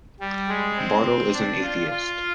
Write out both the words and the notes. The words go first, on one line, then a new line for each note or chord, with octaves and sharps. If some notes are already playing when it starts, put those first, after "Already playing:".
Bartle is an atheist.
G3
G#3
C4
D4
F4
F4